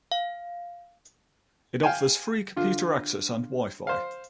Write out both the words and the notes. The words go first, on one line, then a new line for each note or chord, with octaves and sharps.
It offers free computer access and wifi.
F5
F5 G5 G#5
D3 F4
C5 F5